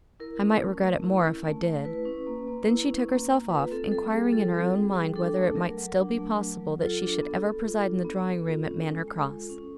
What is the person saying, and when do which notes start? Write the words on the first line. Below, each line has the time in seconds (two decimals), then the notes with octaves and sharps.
"I might regret it more if I did." Then she took herself off, enquiring in her own mind whether it might still be possible that she should ever preside in the drawing-room at Manor Cross.
0.20 E4 A#4
0.41 C#4
0.61 A3
0.81 A3
1.03 E4
1.23 C#4
1.44 A3
1.65 A3
1.85 E4 B4
2.05 C#4
2.27 A#3
2.47 A#3
2.67 E4
2.88 C#4
3.09 A#3
3.30 A#3
3.50 F4 B4
3.71 C4 A4
3.91 G3 A4
4.12 G3 G#4
4.33 F4 A4
4.54 C4
4.74 G3 G#4
4.95 G3
5.16 D4 A4
5.36 A3
5.56 F#3 A#4
5.78 F#3
5.98 D4
6.19 A3
6.40 F#3
6.60 F#3
6.80 F4 A4
7.02 D4
7.23 B3
7.43 B3
7.63 F4
7.84 D4
8.04 B3
8.26 B3
8.46 F4
8.67 C#4
8.88 G#3
9.08 G#3
9.29 F4
9.50 C#4